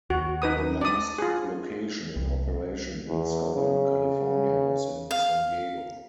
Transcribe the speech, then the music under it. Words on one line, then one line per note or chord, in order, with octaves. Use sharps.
The last location in operation in Southern California was in San Diego.
D#2 F#4
D#4 B4 D#6
D4 D5 D#6
F4 G#4
C2
E2
C#3
F5